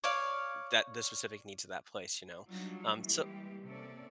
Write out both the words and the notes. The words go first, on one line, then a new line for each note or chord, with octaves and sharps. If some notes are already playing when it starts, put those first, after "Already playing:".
that the specific needs of that place, you know? Um, so
C#5 D5 F5
F#3 G3 D4 D#4 F4
E3 G3 G#3 A#3 G4
C3 A#3 C4 C#4 A4 D5